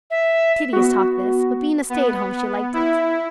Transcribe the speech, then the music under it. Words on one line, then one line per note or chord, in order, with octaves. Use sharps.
Tedious talk this, but being a stay-at-home she liked it.
E5
B3 F#4
B3
E4